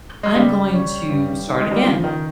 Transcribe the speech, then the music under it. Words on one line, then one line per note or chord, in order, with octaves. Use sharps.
I'm going to start again,
G#3
C#3 G3
C#4
G2
D#4
G#3
G3
C#3 F3
F3
D#3